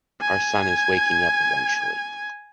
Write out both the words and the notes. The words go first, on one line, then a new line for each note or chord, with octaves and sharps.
Our son is waking up eventually.
G#5 G#6